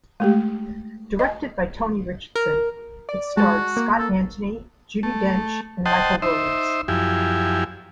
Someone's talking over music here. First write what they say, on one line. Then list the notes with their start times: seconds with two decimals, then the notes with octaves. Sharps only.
Directed by Tony Richardson, it starred Scott Antony, Judi Dench and Michael Williams.
0.20 G#3 A3 G4
1.19 D#5
2.36 A#4
3.09 D5
3.37 G#3 F#4 A5
3.77 A#3
3.98 A4
5.03 A3
5.86 C5 D#5 F#5 G5 A5
6.22 D#4 C5 E5
6.88 F#2 F3 E4 G4 G#5